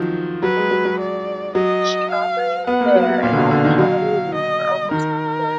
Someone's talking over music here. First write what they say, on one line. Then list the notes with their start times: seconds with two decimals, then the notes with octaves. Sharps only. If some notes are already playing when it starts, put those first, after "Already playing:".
She operated there and off Honolulu for almost a year.
Already playing: D#3 F3 F#3
0.43 F#3 B4
0.56 G#3
0.71 F#3
0.85 F#3
0.99 D5
1.55 F#3 D#5
2.11 F5
2.67 B3 F#5
2.81 A#3
2.95 F#3
3.09 F#3
3.23 A#2 F5
3.33 D3
3.37 B2
3.51 D3
3.65 D#3
3.78 F#3 F5
4.34 D#5
4.91 D#3 A#4